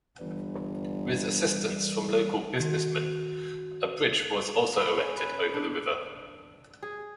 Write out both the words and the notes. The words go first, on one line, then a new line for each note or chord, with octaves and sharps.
With assistance from local business men a bridge was also erected over the river.
G1 E3 G3
D#3 F#4
B4
C#4
B4
D4
G#4